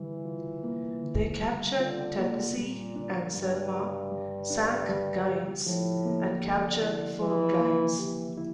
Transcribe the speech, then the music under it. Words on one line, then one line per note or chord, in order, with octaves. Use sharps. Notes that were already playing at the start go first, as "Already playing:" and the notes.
They captured "Tennessee" and "Selma", sank "Gaines", and captured Fort Gaines.
Already playing: D3 E3 G3
F4
A#3
D3
G3
D3 F4
A#3
A#2 G3
D4
G2 G3
G4
G3
D4
G3
G4
A2 F3
A#3
D3 G4
E4
E3 F3
A#3
E3 G4
E4